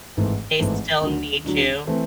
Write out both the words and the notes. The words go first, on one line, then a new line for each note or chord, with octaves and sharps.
They still need you.
G#1 G#2 E3 A3 C4
G#1 G#2 E3 A3 C4
D2 D3 F#3
D2 D3 F#3
E3 A3 C4